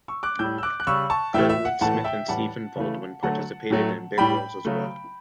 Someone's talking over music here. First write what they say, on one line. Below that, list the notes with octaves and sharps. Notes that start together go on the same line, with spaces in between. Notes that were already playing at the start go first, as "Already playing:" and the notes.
Kurtwood Smith and Stephen Baldwin participated in bit roles as well.
C#6 E6
D6 F#6
A2 G3 E6 G6
E6
D6 F#6
F#6
C#3 G3 C#6 E6
A5 C#6
A2 E3 A3 E5 G5
E5
F#5
A2 E3 A3 F#5 A5
E5 G5
A2 E3 G3 F#5 A5
C#3 E3 A3
D3 F#3 A3 F#5 A5
A2 F#3 A3
A2 G3 G5 B5
C#3 F#3 A3